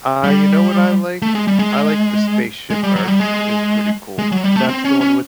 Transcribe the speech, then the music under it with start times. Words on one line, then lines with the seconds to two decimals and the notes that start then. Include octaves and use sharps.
I You know what I like? I like the Spaceship Earth is pretty cool. That's the one with
0.24 G3
1.22 A3
1.35 G#3
1.48 G3
1.59 G#3
2.70 G#3
2.83 G3
2.96 F#3
3.08 G3
3.20 G#3
4.18 G#3
4.32 F#3
4.44 G3
4.56 A3
4.69 C4
4.85 C#4
5.01 C#4